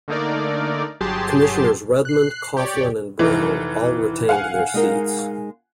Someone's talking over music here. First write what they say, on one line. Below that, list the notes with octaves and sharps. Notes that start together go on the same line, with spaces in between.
Commissioners Redmond, Coughlin, and Brown all retained their seats.
D3 A3 A#3 D#4 A#4 D5
G1 F#3 G4 G#4 A5 C6
F#6 C7
G4 C#5 D5
F1 E3 D#4 A4
F5 F#5 G#5
G#3 D#4 A#4